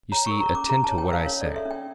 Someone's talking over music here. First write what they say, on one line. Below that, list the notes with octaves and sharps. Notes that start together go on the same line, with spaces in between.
You see, attend to what I say.
C#5 A#5
C#6
A#4
A#5
C#4 D6
G4 A#5
A5
C#5
G5
A#4 F5
C#4 C#5
D5
A4
E5
C#4
G5